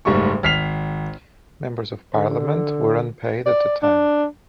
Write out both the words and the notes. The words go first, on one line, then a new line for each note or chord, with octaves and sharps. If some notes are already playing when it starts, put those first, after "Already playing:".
Members of parliament were unpaid at the time.
F#1 G#2 G3 A3 C#6
G#1 F6 B6 C7 F7
D3
D5
D4